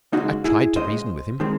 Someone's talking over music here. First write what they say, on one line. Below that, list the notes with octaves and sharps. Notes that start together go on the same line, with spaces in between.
I tried to reason with him.
C#2 C#3 G#3 D#4 F#4
E4 G#4
C#2 C#3 G#3 C5 D#5
D#3 G#3 C4